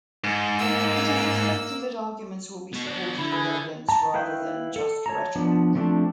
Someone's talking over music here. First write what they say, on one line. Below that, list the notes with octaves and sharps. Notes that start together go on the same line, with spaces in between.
It is expected that arguments will be supported with evidence, rather than just rhetoric.
G#2
A#3 E6
B3 F#4
B3 D4
D3 E4 E5
E4 G#4 B4
A5 A#5
E4 B4 F5 G5 G6
A4
C#5 A5 A#5
F3 B3 D4
F3 A3 C4 D4